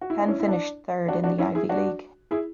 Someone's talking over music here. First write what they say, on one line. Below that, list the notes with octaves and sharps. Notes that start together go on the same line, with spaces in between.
Penn finished third in the Ivy League.
F#4
E4
D4
C#4 E4
E4
D4
D4 F#4
D4 F#4
C#4 E4
E4 G#4
D4 F#4
E4 G#4